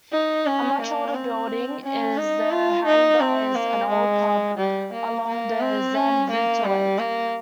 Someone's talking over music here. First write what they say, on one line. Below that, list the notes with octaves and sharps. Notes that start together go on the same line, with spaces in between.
A much older building is the "Haringbuys", an old pub along the Zandvoorterweg.
D#4
C#4
A#3
C4
C#4
D#4
F4
D#4
C4
A#3
G#3
G3
A#3
A#3
C4
C#4
A#3
G3
A#3